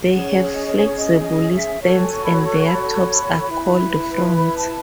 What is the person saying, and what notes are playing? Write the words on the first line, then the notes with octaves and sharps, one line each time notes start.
They have flexible stems and their tops are called fronds.
C#4 G#4 C#5 F#5
F#5
D#5
C#5
D#5
D#5
E5
F#4 A4 C#5
G#5
C#6
B5
C#6
B5
E4 B4
B5
A5